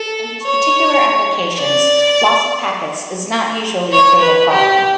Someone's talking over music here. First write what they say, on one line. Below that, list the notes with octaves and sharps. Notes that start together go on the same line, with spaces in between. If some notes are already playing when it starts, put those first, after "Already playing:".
In these particular applications, loss of packets is not usually a fatal problem.
Already playing: A4
C#5
D5
C#5
B4
G4